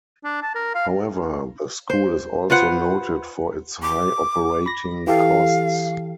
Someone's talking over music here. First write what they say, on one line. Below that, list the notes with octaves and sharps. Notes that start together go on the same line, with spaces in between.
However, the school is also noted for its high operating costs.
D4
A5
A#4
F5
C5
F4 B4 C5 F#5
D6
B5 A#6
E3 G4 A4 F5